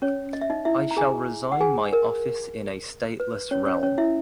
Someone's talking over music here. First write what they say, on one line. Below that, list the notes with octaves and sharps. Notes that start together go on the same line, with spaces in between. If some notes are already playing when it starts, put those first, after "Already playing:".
I shall resign my office in a stateless realm.
C#4 C#5
D#5
E5
D#4 D#5
E4 E5
A#5
G#4 G#5
F#5
G#4 G#5
A#4
B4
C#4 C#5
C#4 C#5
C#4 C#5
E4 E5